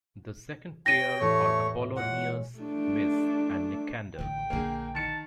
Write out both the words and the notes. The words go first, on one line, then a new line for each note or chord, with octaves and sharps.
The second pair are Apollonius Mys and Nicander.
G4 G#4 C#5 G5 A#6 D#7
E2 A2 E3 A3 C#5
G#3 F4 C#5 F#5
A3 D4
A1 D3 G5
A#1 D3 A#3 G#4
D#3 A5 C#7